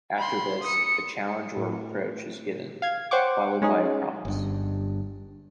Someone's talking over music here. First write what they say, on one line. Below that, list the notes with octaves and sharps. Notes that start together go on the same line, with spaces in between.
After this, a challenge or reproach is given, followed by a promise.
B5 C6
D#6 C#7
A2
F5 G#6
C5 C#5 F#5 G5 C#6 D6
G#3 C#4 D#4 G#4
G1 G2